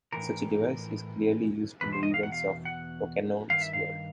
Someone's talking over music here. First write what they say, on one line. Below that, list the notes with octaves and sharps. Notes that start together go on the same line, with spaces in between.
Such a device is clearly used in the events of "Rocannon's World".
A2 E3 A#4
E2 B2 B4
C5
D#5
F5
F#5
F5
F#5
G2 D#3 F5
E5
F5